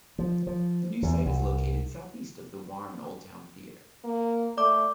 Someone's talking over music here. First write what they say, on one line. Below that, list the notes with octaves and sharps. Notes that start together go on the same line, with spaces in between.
The new site is located southeast of the Warren Old Town Theater.
F3
F3
E2
C2
A#3
A3 D5 D6